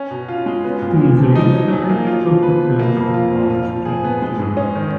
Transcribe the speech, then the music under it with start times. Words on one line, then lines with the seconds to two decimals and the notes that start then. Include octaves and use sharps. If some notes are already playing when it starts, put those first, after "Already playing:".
His research focusses on string theory.
Already playing: C#4
0.11 B2
0.28 F4
0.46 G#3
0.64 B3
0.82 A#2
1.00 A#2
1.18 F3
1.35 D#4
1.53 F#3
1.72 G#4
1.90 A#3
2.07 F4
2.25 F3
2.43 B4
2.61 B3
2.79 A#3
2.97 F2
3.14 F4
3.32 F3
3.50 F4
3.68 F3
3.85 G#4
4.04 B3
4.22 G#3
4.40 G#2
4.57 C#4
4.75 D#3